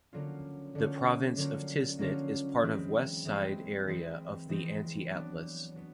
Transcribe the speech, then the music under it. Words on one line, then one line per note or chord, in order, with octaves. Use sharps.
The province of Tiznit is part of west side area of the Anti-Atlas.
D3 F#3 A#3 C#4 F4
D3 F#3 A#3 C#4 F4
D3 F#3 A#3 C#4 F4
D3 F#3 A#3 C#4 F4
E3 G#3 C4 E4
E3 G#3 C4 E4
E3 G#3 C4 E4
E3 G#3 C4 E4
F#3 B3 D4
F#3 B3